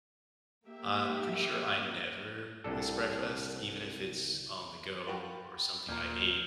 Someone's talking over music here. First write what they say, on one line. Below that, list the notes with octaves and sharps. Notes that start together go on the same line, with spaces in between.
I'm pretty sure I never miss breakfast, even if it's on the go or something I ate
A#3 G4 E5
C2 D4 A4
F4 F#4 G5 B5 A6
D#2 A#2 D5 A#5 F6 G6 G#6